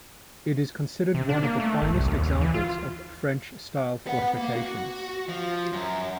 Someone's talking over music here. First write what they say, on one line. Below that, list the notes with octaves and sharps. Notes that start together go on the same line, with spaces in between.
It is considered one of the finest examples of French-style fortifications.
C3
D4
A#3
A3
G#1
C2
D#2
D#2
E3
F4
B3 F#5
A#3
F#4
F3
F#2